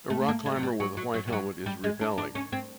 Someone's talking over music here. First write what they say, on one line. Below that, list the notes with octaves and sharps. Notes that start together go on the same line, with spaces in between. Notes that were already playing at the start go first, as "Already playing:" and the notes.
A rock climber with a white helmet is repelling.
A3
A#3
G#3
F#3
G3
F#3
F#3
F#3
G3
F#3
G3
G#3
D4
D4
C#4
C4